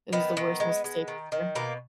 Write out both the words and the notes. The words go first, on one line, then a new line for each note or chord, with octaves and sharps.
It was the worst mistake ever.
D#3 B3
D#3
G#3
G#3
D#3
D#3
B2 A#3